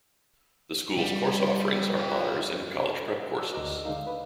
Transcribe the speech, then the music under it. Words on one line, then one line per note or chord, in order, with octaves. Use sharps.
The school's course offerings are honors and college-prep courses.
G3
F4 G5
F#4 D5 E6
D2 A#4 D5 D#5 D6
D3 G#3 D#4 F5
B4